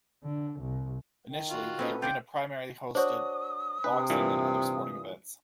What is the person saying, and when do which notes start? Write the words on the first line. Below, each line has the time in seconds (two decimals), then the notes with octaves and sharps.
Initially, the arena primarily hosted boxing and other sporting events.
0.24 D3
0.60 C2
1.28 D#3
1.50 F4 F#4
1.79 C4 C#4 D#4 A4 B4
2.02 F4 D5 F#5 G5
2.95 D4 F#4 C5 C#5 D#6
3.84 C3 D4 B4
4.10 G2 A#2 E3